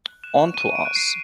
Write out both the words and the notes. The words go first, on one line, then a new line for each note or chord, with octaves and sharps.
On to us.
F#6
F#6 E7
C#6
C#6 D#7
C#6
D7
F#6
C7
F#6